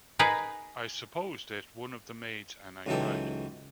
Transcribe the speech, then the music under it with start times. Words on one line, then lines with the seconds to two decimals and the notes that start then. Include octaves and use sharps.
I supposed it one of the maids, and I cried.
0.19 D#4 G#4 A#4 B4
2.86 C#2 G#2 E3 F#3 A4 G5